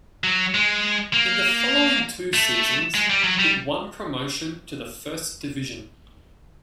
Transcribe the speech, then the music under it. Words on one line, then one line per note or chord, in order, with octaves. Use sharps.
In the following two seasons, it won promotion to the first division.
F#3
G#3
A#3
A3
G#3
G3
F#3
G3